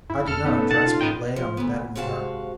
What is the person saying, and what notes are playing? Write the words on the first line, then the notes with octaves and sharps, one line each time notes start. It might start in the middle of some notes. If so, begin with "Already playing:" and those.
I did not undress, but lay on the bed in the dark.
G2 E4
F2 A4 F6
A3 B3 C#4 D#4
B2 A#3 F#5 A5
F4
A2 B3 D#4 G5
F3
D2 B3
G#2 C3 F#4 F5 A5